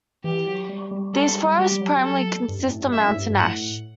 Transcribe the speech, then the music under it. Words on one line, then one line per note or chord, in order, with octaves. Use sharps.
These forests primarily consist of Mountain Ash.
E3 G4
F#3
G3
G3
G3 A4
G3
G3
G3 G4
G3
F#3
A4
G2
F#2
A2
G2
F#2 E5
A2
G2
G2
A2 F#5